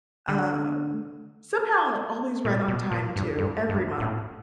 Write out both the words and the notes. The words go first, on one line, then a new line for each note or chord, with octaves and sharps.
um, somehow always right on time too every month.
D3
A#2
B2
A#2
G2
G2
G2
A2